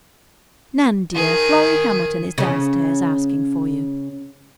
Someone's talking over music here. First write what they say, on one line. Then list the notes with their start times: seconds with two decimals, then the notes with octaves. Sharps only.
"Nan, dear, Florrie Hamilton is downstairs asking for you."
1.15 D#3 G#4
2.38 C#3 C#4